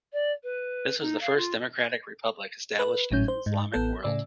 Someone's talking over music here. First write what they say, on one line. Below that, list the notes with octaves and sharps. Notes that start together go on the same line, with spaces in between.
This was the first Democratic Republic established in Islamic World.
D5
B4
D#4
F5
F4
B4
G#1 A2 F#3 C#4 G6
C5
G#2
A1 B3 A4 G6
A2 C#3 D5 E6